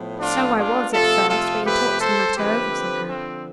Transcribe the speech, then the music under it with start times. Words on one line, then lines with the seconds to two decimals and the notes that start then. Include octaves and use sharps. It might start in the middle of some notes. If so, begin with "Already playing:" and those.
"So I was, at first, but he talked the matter over somehow."
Already playing: A2 F3 B3
0.20 D4 F4
0.56 D4 F4
0.92 C3 F3 A3 F4 A4
1.28 F4 A4
1.65 G4 B4
2.01 A4 C5
2.37 D3 F3 C4 G4 B4
3.09 C4